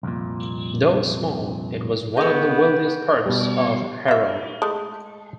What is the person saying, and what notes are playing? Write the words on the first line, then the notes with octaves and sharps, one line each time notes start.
Though small, it was one of the wealthiest parts of Harrow.
C2 F2 A#2
B3 G#4 A4 D#5 G5 C#6
B2 G3
G3 E5 F5
G#3 A3